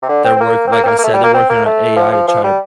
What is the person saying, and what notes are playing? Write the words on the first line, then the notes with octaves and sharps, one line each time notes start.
their work like I said, they're working on AI to try to
C3
D3
C4
C4
A#3
C4
A#3
C4
A#3
A#3
A3
G3
A#3
C4
A#3
A3
F3
F3
F3
G3